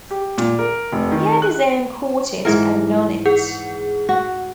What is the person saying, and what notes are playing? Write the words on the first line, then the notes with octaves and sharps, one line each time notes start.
He had his own quartet and nonet.
G4
A#2
A#4
F1
D#3
F#6
G#2 E3 A#4
G#4 F#5
F#4